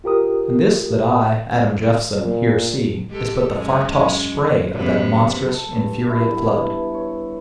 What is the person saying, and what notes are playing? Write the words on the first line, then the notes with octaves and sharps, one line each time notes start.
And this that I, Adam Jeffson, here see is but the far-tossed spray of that monstrous, infuriate flood.'
F4 G4 A#4 D#6
A#2
G#3 G4 A4
F#2 G#3 C#4
F#2 C3 B3
A4
G2
E4
B3
C#5